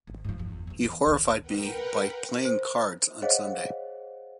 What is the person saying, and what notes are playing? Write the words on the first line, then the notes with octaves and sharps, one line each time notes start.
He horrified me by playing cards on Sunday.
G#1
G#2 F3
G1 E2
F2 E3
B3
D2 D#3
A#4 B4 F#5 G5
C5
G#4 C5 C#5 D#5 F5 F#5